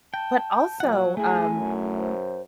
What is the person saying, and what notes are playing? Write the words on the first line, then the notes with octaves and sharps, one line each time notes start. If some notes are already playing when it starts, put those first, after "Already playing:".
But also, um
G5 A5
A#2 F#3 F#5
A3 E4 G#4 G#5
F#2
C5